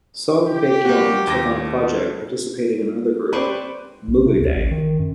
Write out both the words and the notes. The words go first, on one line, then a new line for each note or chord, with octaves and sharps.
Song Baekkyoung took on a project participating in another group, MoogaDang.
G4
A#3 F#4
D#2 D6 A#6
C4 G4 B4 C5 D5 C#6
B1
C3
D2
A1
D#3
F#2